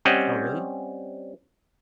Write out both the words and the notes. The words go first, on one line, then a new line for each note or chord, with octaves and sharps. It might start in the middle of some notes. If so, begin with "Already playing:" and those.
Oh, really?
G3 C4 C#4 D#5 F#5